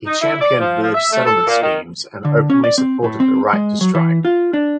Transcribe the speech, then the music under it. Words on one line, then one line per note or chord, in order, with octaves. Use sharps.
He championed village settlement schemes and openly supported the right to strike.
D#4
E4
D5
F3
F3
E5
A3
A4
A#2
D#3
D3
C#4
D5
C4
A2
C4
G#3
F#3
E3
F4
D4